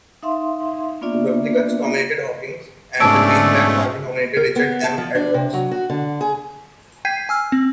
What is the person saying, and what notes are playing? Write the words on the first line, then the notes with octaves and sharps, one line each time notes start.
Republicans nominated Hawkins, and the Greenback Party nominated Richard M. Edwards.
D#4 E5 F5 C6
A#3 B3 D4 F4 D5 E5
G#2 B2 A3 C#4 D4 A5 E6 D7
A#4
B3
A5
F3
D4
C3
F#3
F#4
D3
G#4
G5 G6 G#6 B6 C7 D#7
G#5 E6 F6
C4